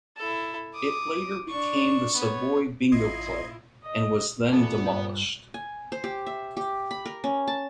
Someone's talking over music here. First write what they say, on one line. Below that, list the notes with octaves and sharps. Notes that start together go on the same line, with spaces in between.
It later became the Savoy Bingo Club and was then demolished.
E4 A4
D6 D#6
D4 C#6
B3 C#5
A1 E4 F4 D#5 C6 G#6
D#5
E2 A#2 B3 A4 A5
G2 G3
G#5
C5
G4
E5
G4
B5
A#4
C#4
A5